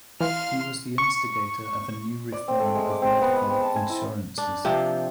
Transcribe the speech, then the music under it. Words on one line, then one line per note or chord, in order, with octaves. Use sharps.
He was the instigator of a new reform of medical insurances.
E3 F5 C6 F6
C#6
D5
C4
A3
G#3
D6
C4
B3
D#6
C4
A5
G#5
E4
D4
C3 F3 C4